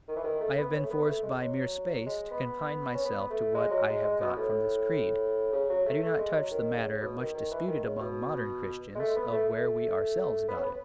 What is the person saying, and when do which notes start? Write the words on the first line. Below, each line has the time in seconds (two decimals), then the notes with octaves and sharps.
I have been forced by mere space to confine myself to what I have got from this creed; I do not touch the matter much disputed among modern Christians, of where we ourselves got it.
0.08 D#3
0.16 E3
0.24 D#3
0.41 A3
0.57 B3
0.73 C#4
0.83 A3
0.91 B3
1.06 A3
1.23 G#3
1.40 F#3
1.56 F#3
2.06 G#3
2.31 B3
2.94 C#4
3.05 B3
3.30 A3
3.55 G#3
3.71 F#3
3.87 G#3
4.05 G#3
4.21 B2
4.36 A2
5.53 C#3
5.69 F#3
5.86 A3
6.02 A3
6.18 G#3
6.35 F#3
6.51 D#3
6.76 C#3
7.01 B2
7.18 D#3
7.34 D#3
7.51 E3
7.67 D#3
7.83 C#3
8.00 B2
8.95 G#3
8.99 A3
9.16 B3
9.32 A3
9.49 A3
10.48 B3
10.56 C#4
10.63 B3